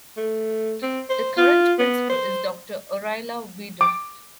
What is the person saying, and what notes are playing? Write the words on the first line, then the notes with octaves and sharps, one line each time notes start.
The current principal is Doctor Oryla Wiedoeft.
A3
C4
C5
F4
B3
C5
D6